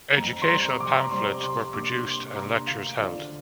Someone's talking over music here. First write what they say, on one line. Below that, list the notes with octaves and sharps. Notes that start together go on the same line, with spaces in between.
Educational pamphlets were produced and lectures held.
F2 A#5
C6
C3 G3 C4 A#5
F2 D6
A#5
C3 G3 C4 C6
C3 C6
A#3 D4 D6
C3 C6
A#3 D4 A#5
D2 F5
D3 F3 D5